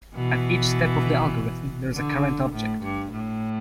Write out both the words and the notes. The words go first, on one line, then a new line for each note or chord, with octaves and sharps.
At each step of the algorithm there is a current object.
B2 E3
D3
A2
G2
A2